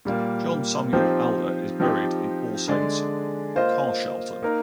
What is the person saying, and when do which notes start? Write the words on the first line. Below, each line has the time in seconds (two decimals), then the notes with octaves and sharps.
John Samuel Alder is buried in All Saints Carshalton.
0.05 A#2 G3 A#3
0.93 F3 C4 D#4 G4 C5
1.80 F3 C4 D#4 G4
2.68 D3 G#3 D4 G#4 D5
3.55 A#3 F4 C5 D#5
4.43 A#3 D#4 A#4